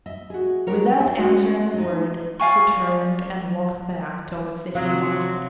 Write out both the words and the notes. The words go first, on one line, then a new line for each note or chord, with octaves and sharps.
Without answering a word he turned and walked back towards the Hay Market.
D#5 E5
F#4 G#4
D4 F#4 G4 A#4 C#5
D#4 E5
A3 C#4 F#4 C#5 D#5
D#4 A4 D#5
D5 F5 G#5 C#6
C3 F3 F#3 F5